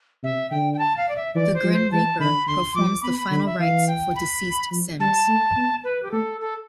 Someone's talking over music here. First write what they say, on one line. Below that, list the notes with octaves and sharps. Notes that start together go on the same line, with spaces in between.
The Grim Reaper performs the final rites for deceased Sims.
C3 E5
D3 G5
G5
A5
F5
D5
E5
E3 D5
C5
F3
C5
E3 A5
D3 B5
D3 C6
F3 D6
B3 B5
B5
D3 B5
E5
E3 F5
G5
B5
F3
G3 A5
A3
B3
B4
G4
A3 A4
A4